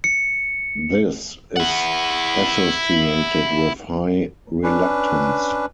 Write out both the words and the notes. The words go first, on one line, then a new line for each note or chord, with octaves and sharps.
This is associated with high reluctance.
C#7
E4 F#5
C#4 D4 B4